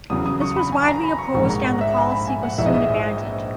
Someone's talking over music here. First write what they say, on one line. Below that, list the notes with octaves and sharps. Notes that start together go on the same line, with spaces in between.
This was widely opposed and the policy was soon abandoned.
E2 C#3 F#3 D#6
D#6
C#6
B5
G#5
A#5
B5
C#6
A#1 G#2 D#3 G#3 C#6
A#5
F#5
E5
G#5
B5
G#5
F#5
A#1 G#2 E3 G#3 E5
D#5
E5